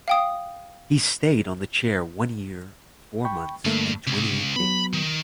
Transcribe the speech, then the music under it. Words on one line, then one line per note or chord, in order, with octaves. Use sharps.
He stayed on the Chair one year, four months and twenty-eight days.
F5 G5 D#6
G5 B5 C#6
G2 D3 A3 A#3
C#2 C3
F#3 B3 B5
D#3